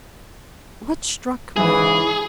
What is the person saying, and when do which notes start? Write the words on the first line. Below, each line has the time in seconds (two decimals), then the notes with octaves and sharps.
What struck me?
1.57 G#2 C#3 E3 G#4